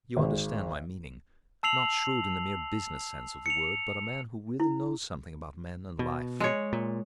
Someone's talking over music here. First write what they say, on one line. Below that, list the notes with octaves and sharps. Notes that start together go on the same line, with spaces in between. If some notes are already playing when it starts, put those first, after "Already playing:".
You understand my meaning; not shrewd in the mere business sense of the word, but a man who really knows something about men and life.
G#1 G#3
A5 E6 C7 F7 F#7
C#7 F7
E4
B2
G#3 C#5
A#2